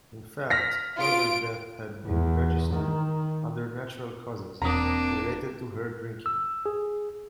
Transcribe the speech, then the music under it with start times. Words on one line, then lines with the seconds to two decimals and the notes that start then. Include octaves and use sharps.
In fact, Clover's death had been registered under natural causes, related to her drinking.
0.50 F6 A#6 B6
0.96 F4 D7
2.05 E2
2.73 D#3
4.62 E1 A#3 C4 D4 A#5 D#6
6.26 E6
6.66 G#4